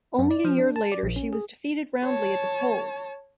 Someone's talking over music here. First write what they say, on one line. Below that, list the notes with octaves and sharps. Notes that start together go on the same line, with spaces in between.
Only a year later, she was defeated roundly at the polls.
F#2
D5
F3
D4
A5
D5
A#1
C#4
G#4
C#5 A5